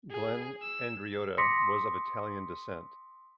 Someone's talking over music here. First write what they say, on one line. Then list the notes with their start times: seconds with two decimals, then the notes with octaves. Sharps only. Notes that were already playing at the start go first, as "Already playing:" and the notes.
Glenn Andreotta was of Italian descent.
0.11 G#4
0.62 E6
1.38 C6 D6 D#6 A#6 B6 C#7